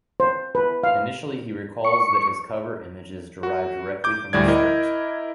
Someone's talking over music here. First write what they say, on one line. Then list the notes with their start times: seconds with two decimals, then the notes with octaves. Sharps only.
Initially, he recalls that his cover images derived directly from the script.
0.20 C5
0.55 B4
0.84 F5
1.85 C#6
3.43 F#4
4.04 D6 G6
4.33 D2 A2 G3 D5 G#6
4.48 E4 A#4 D#5